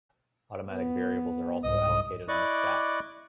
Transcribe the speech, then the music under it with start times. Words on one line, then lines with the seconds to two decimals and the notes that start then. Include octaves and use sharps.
Automatic variables are also allocated on the stack.
0.67 B3
1.63 C2 G#2 D#5 D#6
2.28 E4 D5 D#5 C#6 D6 F#6